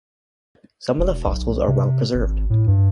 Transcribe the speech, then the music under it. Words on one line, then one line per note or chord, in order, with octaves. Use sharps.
Some of the fossils are well-preserved.
E1
B1
C3
G#1
A2
G2